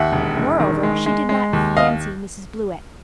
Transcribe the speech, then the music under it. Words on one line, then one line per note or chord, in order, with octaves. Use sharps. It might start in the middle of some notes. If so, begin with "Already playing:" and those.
More-over, she did not fancy Mrs. Blewett.
Already playing: D#2 E5 F#5
E1
E1
D#3
G#3
G#3
G#3
D#2
D#5 F5